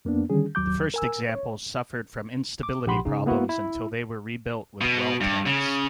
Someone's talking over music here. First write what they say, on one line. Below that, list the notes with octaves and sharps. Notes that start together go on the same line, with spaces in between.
The first examples suffered from instability problems until they were rebuilt with well-tanks.
F2 A#3 B3 D4
D3 D#3 G3 C#4 G#4
D#2 F#3 D6 G6
A#4 G#5 E6
C#5
D6
A#1 G4 F#5 B5 C6
C#3 D#4
A#3 B3 E4 F#4
E4
B2
G2
C#3